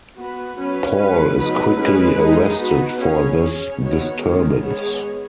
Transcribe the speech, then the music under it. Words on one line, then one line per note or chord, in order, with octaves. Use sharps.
Paul is quickly arrested for this disturbance.
B3 F#4 B4
F#3 C#4 B4
G#3 C#4 B4
F#3 B3 D#4 B4
G#3 C#4 G#4 B4
G#3 D#4 G#4
B3 F#4 B4
C#4 G#4 C#5
C#4 G#4 C#5
D#3 B3 F#4 C#5
D#3 G#3 C#4 G#4
G#3 B3 G#4 C#5